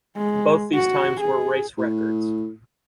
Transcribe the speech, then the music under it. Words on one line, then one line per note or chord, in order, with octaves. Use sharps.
Both these times were race records.
G#3
F#4
G#4
A2